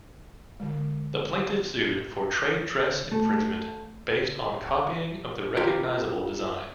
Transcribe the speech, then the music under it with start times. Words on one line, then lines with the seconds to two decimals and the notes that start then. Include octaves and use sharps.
The plaintiff sued for trade dress infringement based on copying of the recognizable design.
0.60 D3 G#3
3.12 A3
5.57 F4 G4 A#4 B4 D5